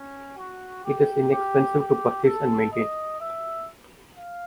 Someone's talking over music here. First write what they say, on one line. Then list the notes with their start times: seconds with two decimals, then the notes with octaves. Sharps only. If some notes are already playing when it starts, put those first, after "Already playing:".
It is inexpensive to purchase and maintain.
Already playing: C#4
0.37 F#4
0.85 G4
1.31 G4
1.78 G4
2.25 A4
2.73 D#5
3.19 E5
4.13 F5